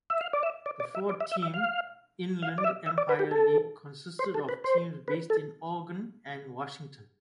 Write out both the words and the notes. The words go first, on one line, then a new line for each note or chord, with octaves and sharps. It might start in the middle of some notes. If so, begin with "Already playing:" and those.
The four–team Inland Empire League consisted of teams based in Oregon and Washington.
E5
F5
D5
E5
D5
D5
E5
D5
E5
E5
E5
F5
F5
D5
E5
E5
D5
B4
G4
A4
C5
A4
B4
C5
B4
A4